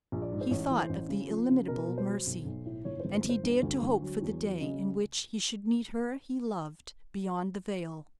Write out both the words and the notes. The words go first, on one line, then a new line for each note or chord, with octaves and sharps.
He thought of the illimitable Mercy, and he dared to hope for the day in which he should meet her he loved "Beyond the Veil."
A#1
D5
G#2
C5
A1 C#5
E3
C5
A1
C#3
F3
C#3
B2 A#4
B2
C5
F#3
B1
B1
A2
G1 C#5
G1 C5
C5
G1 C5
D2
D2
D2
F#3
E2
F#3
C#3 D#5